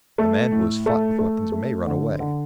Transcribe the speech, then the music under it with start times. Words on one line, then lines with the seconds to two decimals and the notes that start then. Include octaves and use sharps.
A man who has fought with weapons may run away.
0.18 A3
0.52 A2
0.86 A3
1.19 A3
1.52 A3
1.87 D3
2.20 D3